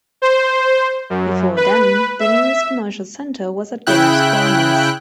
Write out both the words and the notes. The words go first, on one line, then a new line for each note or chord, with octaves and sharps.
Before then, the nearest commercial center was at Doan's Corners.
C5
F#2
B4
E5
C#3 E4 G5 F#6